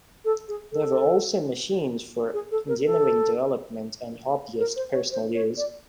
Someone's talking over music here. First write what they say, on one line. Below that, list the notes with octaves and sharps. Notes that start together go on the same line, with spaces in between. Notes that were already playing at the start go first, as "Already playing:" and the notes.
There were also machines for engineering development and hobbyist personal use.
A4
G#4
A4
G#4
A4
A#4
A4
A#4
C5
C#5
C5
C#5
D5